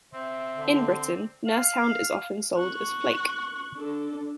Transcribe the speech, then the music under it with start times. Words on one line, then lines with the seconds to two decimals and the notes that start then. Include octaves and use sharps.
In Britain, nursehound is often sold as flake.
0.13 C4 E5
0.56 D3
1.47 F5
2.58 C#6 F#6
3.77 D4 A4